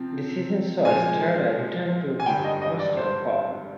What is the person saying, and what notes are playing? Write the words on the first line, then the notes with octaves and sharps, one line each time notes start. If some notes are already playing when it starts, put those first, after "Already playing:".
The season saw Estrada return to his All-Star form.
Already playing: C3 F3 C4
A#2 F3 G#3 G#5
G#5
G#1 G2 D3 G3 G5
D#5
D#5
D5
C5